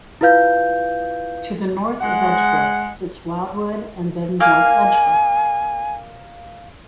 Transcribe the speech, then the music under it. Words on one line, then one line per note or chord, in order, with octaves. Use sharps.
To the north of Edgebrook sits Wildwood and then North Edgebrook.
E4 F4 B4 F5 G6
G#3 F#5
A#3 F5 G#5 F6